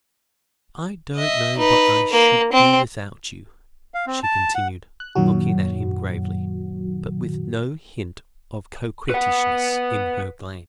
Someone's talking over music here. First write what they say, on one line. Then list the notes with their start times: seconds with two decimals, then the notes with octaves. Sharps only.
"I don't know what I should do without you," she continued, looking at him gravely, but with no hint of coquettishness in her glance.
1.17 D#5 E5
1.57 D#4 B4
2.12 A#3
2.53 C4
3.94 F5
4.07 C4
4.23 A5
4.55 F#5
5.00 F#6
5.15 F#2 A#2 D#3 F#3 F#4
9.10 B4 F#5